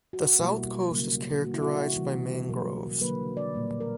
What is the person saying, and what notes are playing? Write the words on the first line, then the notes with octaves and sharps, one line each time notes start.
The south coast is characterised by mangroves.
F#4
B2 G3 A#3 E4
C#3 F#3 A#3
D3 A#3 F#4
E4
F#4
C#3 E3 G3
B2 F#3 A#3 A#4
D3 F#3 A#3 B4
D5
A#2 G3 A#3
A#4